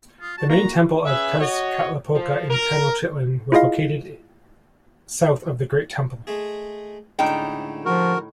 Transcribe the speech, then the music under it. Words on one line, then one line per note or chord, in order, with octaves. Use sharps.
The Main temple of Tezcatlipoca in Tenochtitlan was located south of the Great Temple.
F4 D#6
F#4 A5
A#3 A#5
C#4 G#4 B4 E5
F#4 C#5 D#5
F3
A#4
E4 F4 G#4 D#5 F5
G#3 A3 G#4
C#2 A2 D3 D4 D#4 G5
F3 F#4 A#4